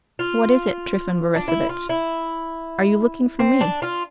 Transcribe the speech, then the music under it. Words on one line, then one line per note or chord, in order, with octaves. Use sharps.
"What is it, Trifon Borissovitch? are you looking for me?"
F4
D4
E4
F4
E4
C4
D4
F4